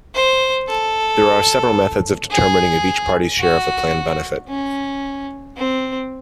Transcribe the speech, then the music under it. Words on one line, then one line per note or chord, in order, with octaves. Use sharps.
There are several methods of determining of each party's share of the plan benefit.
C5
A4
G#4
F#4
C#4
C4